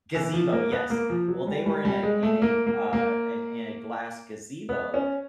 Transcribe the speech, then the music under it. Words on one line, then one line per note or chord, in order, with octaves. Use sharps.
Gazebo, yes. Well, they were in a in a, uh, in in a glass gazebo,
E3
F3
A#3
B3
A#3
F3
F#3
G3
G3
G3
G#3
A3
A#3
A#3
A#3
B3
C#4